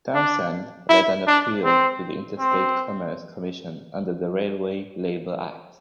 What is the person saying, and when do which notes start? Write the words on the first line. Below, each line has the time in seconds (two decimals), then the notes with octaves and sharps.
Townsend led an appeal to the Interstate Commerce Commission under the Railway Labor Act.
0.15 D4
0.89 E4
1.27 D4
1.65 C4
2.39 C4